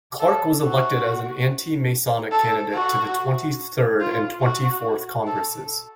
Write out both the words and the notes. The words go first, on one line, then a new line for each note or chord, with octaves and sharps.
Clark was elected as an Anti-Masonic candidate to the Twenty-third and Twenty-fourth Congresses.
A4
F#4
A4
F#4
F4
F#4
A4